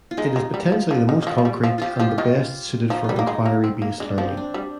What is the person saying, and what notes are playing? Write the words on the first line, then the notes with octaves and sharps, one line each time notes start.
It is potentially the most concrete and the best suited for inquiry-based learning.
F4
G#3 D#4
G#3
G3
F3
F3
D#3
D#3
F3
F3
G3
F3
F3 F4 G4
F3 F4
D#3 F4
F3 D#4
F4
G3
A#3 D#4
G#3
A#3
C4
A#3
G#3 D4
F3 C4
D4
G3